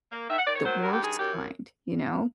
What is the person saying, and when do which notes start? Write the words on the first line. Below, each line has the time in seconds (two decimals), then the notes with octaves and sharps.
The worst kind, you know?
0.12 A#3
0.29 D#3 E5
0.39 F#5
0.47 D#3 D5
0.56 C#5
0.65 F#3 C5
0.83 G2 A#4
0.93 G4
1.01 D#3 G#4
1.19 F#2 G4